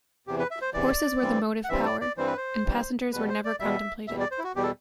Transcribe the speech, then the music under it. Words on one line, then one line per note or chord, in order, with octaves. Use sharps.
Horses were the motive power, and passengers were never contemplated.
E2 C3 E3 G4
B4
E5
C5
E2 C3 E3 D5
G2 E3 G3 C4
F#5
G2 E3 G3 C4 E5
D5
D5
G2 E3 G3 C4 C5
B4
C5
G2 E3 G3 C4
E2 B2 G3 B4
C5
D5
E2 B2 G3 E5
E2 B2 G3 E5
D5
C5
E4
F#4
E2 B2 G3 G4
A4